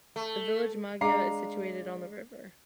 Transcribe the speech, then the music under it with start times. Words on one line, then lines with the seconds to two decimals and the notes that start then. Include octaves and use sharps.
The village Maggia is situated on the river.
0.16 A3
1.01 G#3 D4 F5 A#5 D6 C7